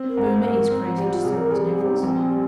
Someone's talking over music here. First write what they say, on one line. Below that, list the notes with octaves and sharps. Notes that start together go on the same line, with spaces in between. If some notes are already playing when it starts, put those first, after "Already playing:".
Boehmer is crazy to sell his necklace.
Already playing: C4
A#4
G#2
C5
G#2 A#4
C4
G3 G4
F4
C3 G#4
A#4
G3 G#4
G3 G4 G#4
A#1 C4
G3